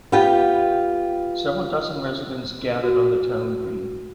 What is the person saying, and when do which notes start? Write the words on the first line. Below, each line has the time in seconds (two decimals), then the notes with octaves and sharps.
Several dozen residents gathered on the town green.
0.12 B3 F4 G4 G5
2.83 F#4